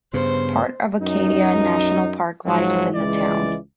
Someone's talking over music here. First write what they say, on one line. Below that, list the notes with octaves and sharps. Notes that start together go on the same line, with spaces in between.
Part of Acadia National Park lies within the town.
G2 C#3 B3 C5
F#2 D#4
G#2 F3 F#3
C#2 E3 G#3 D5